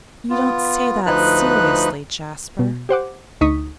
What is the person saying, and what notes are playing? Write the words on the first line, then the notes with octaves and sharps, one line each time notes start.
'You don't say that seriously, Jasper?'
B3 F4
D2 F3 D#4 B4 F#6
B2
G4 C5 F#5 D6
D2 D#4 C#6 D#6 B6